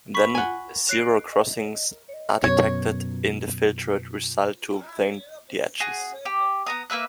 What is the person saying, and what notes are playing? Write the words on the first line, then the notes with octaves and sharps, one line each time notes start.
Then, zero crossings are detected in the filtered result to obtain the edges.
B5 C#6 B6
F#5 G#5
F#6 C7 D7
F#2 B2 C#5
F#4 G#4
G4
B3 A#5 D#6
A#3 B4 E5 F#6